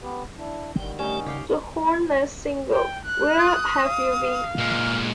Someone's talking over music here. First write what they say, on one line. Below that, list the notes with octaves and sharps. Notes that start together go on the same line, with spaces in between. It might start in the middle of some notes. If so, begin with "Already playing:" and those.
The hornless single, Where Have You Been?
B3 G4 B4
D4 E4
G1 D3 D#3 G3 G5
A3 C#4 D#4 G4 D5
C#3 G4 F5 G5
G5
F#6
D#6
F5
A#2 G#3 F6